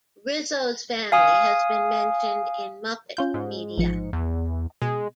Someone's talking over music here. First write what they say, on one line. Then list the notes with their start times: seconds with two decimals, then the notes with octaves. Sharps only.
Rizzo's family has been mentioned in Muppet media.
1.12 F5 G#5 D#6
3.17 C#4 F4 G6
3.34 G#2
3.78 A1 F3 C#7
4.13 E2
4.82 B2 G#3